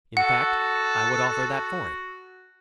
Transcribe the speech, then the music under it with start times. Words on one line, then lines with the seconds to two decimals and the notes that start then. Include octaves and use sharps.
In fact, I would offer that for it.
0.17 F#4 A4 F#5